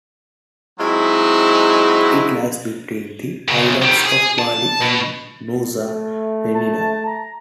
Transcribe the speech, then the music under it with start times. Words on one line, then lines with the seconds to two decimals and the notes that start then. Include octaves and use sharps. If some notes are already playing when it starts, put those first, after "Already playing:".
It lies between the islands of Bali and Nusa Penida.
0.80 F#3 G#3 C4 D#4 E4
3.48 F#2 C#3
3.82 D#3 G3
4.05 G#4
4.39 A5
4.81 B2
5.82 A3
6.55 A5
7.06 A#5